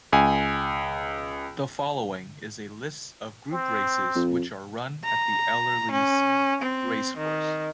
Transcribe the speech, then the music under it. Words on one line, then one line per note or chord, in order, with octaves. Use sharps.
The following is a list of Group races which are run at Ellerslie Racecourse.
C#2 G#5
C4
F2
A#5
C#4
C4
D#3